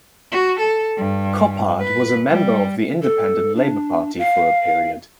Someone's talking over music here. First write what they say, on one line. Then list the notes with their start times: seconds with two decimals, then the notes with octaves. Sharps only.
Coppard was a member of the Independent Labour Party for a period.
0.32 F#4
0.60 A4
0.97 G2
1.81 B4
2.30 G3
3.02 A4
3.56 D4
4.18 F5